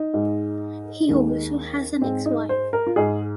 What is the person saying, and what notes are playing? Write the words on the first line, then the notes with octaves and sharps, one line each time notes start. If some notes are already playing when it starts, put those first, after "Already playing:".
He also has an ex-wife.
Already playing: D#4
G#2 G#3
D#2 D#3 G#3
G#2 G#3 C4
D#4
C5
A#4
F4
G#2 G#3 G#4